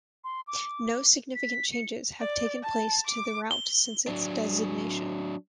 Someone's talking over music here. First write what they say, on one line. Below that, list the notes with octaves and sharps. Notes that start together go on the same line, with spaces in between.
No significant changes have taken place to the route since its designation.
C6
D6
B6
C#7
D5
A5
D6
G7
F#3 D4